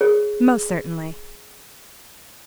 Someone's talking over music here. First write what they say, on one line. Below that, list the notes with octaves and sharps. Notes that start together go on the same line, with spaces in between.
"Most certainly."
G#4 C#5